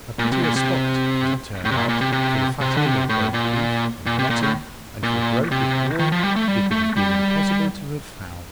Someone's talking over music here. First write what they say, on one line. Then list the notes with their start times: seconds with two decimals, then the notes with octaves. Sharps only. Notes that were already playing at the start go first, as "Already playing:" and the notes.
A prettier spot, as it turned out, for the fattening of both beef and mutton and for the growth of wool, it would have been impossible to have found.
0.19 A#2
0.32 C3
0.43 A#2
0.56 C3
1.65 A2
1.71 C3
1.77 A#2
1.89 A#2
2.01 C3
2.12 C3
2.61 C3
2.77 D3
2.86 C3
3.09 A2
3.34 A#2
4.06 A#2
4.19 C3
4.30 A#2
4.42 A2
5.03 A#2
5.51 C3
5.99 D#3
6.12 F3
6.23 G3
6.36 A3
6.48 G3
6.71 A3
6.96 G3